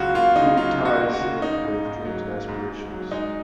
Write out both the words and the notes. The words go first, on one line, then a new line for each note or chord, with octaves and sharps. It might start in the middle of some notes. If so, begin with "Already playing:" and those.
food ties in with dreams and aspirations
Already playing: C#2 F#3 F4 F#4
A#3 F4
C#3 D#4
F#3 F4
C#2
F#4
A#3
F#4
C#3
A#3 D#4
G#2
G#2
F#3
A#3
G#2
G#2
F#3
G#3 D#4